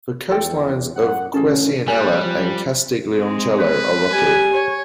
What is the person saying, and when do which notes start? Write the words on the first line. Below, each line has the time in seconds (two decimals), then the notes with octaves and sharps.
The coastlines of Quercianella and Castiglioncello are rocky.
0.29 E2 F4 A4 G5
0.96 F#2 F#5
1.34 A1 C#4 G#4 A4
1.88 A#2 G3 C#5 G#5 F#6
2.25 F3
3.13 G#3 C4
3.60 B4
4.10 G3 G#5
4.53 C#5